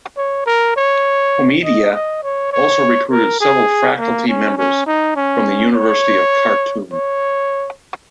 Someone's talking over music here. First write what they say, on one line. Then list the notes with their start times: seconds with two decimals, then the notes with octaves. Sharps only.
Homeida also recruited several faculty members from the University of Khartoum.
0.17 C#5
0.46 A#4
0.77 C#5
1.64 D#5
1.93 D#5
2.23 C#5
2.52 C#5
3.11 A#4
3.41 G#4
3.99 A#3
4.28 C#4
4.57 C#4
4.87 D#4
5.16 C#4
5.75 C#5
6.93 C#5